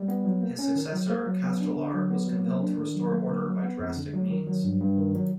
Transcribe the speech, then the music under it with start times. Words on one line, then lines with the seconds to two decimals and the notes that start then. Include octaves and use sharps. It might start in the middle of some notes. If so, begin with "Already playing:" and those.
His successor, Castelar, was compelled to restore order by drastic means.
Already playing: G3
0.08 B3
0.25 F#3
0.41 A#3
0.59 C#4
0.76 D#3
0.92 F#3
1.09 A#3
1.26 F#3
1.43 B3
1.60 D4
1.77 D3
1.94 F#3
2.11 B3
2.28 F#3
2.44 A#3
2.61 D4
2.78 D#3
2.95 F#3
3.12 A#3
3.29 D3
3.46 F#3
3.63 B3
3.79 F2
3.96 D3
4.13 F#3
4.30 D#3
4.47 F#3
4.64 G2
4.81 G2
4.98 D#3
5.15 F#3